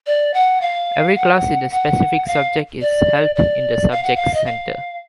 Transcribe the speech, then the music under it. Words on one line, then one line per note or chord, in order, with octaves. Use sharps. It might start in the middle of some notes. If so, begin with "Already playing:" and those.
Every class in a specific subject is held in the subject's center.
D5
F#5
F5
F#5
F#5
F5
D5
D5
F5
F#5
F5
D#5
F5